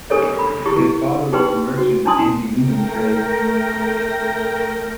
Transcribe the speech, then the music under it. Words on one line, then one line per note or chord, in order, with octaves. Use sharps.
His father was a merchant in the Indian trade.
D4 G4 A4 A#4 C#5 D#5
B5
E4 G4 C#6
D#4 G4 B4 G5 C6
F#4
C#4 D4 E4 A5 C6 D#6
A3 A#4 G5 A#6